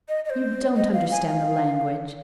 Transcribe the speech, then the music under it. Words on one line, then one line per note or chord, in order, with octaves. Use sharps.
You don't understand the language.
D#5
D#5
C5
D#5
F5
G#5
F5